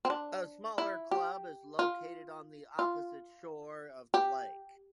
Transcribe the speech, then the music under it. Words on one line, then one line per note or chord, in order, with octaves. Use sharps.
A smaller club is located on the opposite shore of the lake.
C4
D4
E4
G4
F4
F4
G4